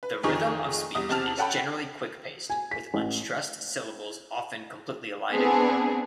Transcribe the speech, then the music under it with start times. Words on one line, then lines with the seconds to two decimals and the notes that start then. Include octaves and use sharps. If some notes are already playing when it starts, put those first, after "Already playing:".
The rhythm of speech is generally quick-paced, with unstressed syllables often completely elided.
0.03 B4
0.23 F1 D#3 F3 D#4 G#4 C#6
0.95 E2 G3 D#6
1.09 E2 C3 C4 A5 F6 F7
1.37 C#4 A4 F#5 G5 B5
2.50 G#5
2.71 B6
2.94 A1
5.32 B3 C4 D4 G#4